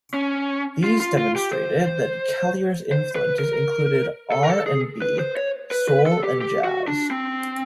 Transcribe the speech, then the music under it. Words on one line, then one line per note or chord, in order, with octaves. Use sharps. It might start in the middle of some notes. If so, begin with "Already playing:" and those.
These demonstrated that Callier's influences included R and B, soul and jazz.
C#4
F4
F4
F4
G4
C5
C5
B4
A#4
A4
A#4
A4
G#4
B4
C5
C#5
B4
B4
A4
G4
G4
F#4
D4
C4